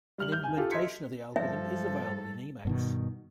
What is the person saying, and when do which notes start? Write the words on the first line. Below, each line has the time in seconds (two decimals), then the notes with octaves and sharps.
An implementation of the algorithm is available in Emacs.
0.18 G3 F6 F#7
0.32 F6 G6
0.44 D#2 G#5
0.57 F4 G4 A4
0.71 D#5 E5 C6 G#6 B6 C#7
1.36 G2 F3 A4 E5
2.65 G2 B2 D#3